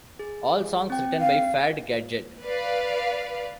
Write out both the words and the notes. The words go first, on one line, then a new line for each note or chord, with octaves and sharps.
All songs written by Fad Gadget.
G#4
C4 G5
F5
B4 D5 F5